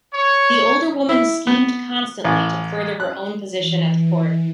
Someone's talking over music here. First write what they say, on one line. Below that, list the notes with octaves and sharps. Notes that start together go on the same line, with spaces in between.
The older woman schemed constantly to further her own position at the Court.
C#5
E4
B3
A1
F#6
E3